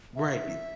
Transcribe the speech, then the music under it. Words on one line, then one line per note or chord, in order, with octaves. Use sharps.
Right, y
E5